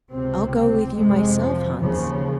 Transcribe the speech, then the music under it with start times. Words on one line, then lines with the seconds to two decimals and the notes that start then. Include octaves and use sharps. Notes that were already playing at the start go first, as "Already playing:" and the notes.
'I'll go with you myself, Hans.'
0.12 C#2 C3 C4
0.54 C4
0.96 F2 C3 G#3
1.38 F3
1.80 D#2 C#3 F3